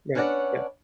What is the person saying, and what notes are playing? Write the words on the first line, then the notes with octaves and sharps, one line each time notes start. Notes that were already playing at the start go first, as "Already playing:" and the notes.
Right, yeah.
C#4 D4 B4 C#5 D5 F#5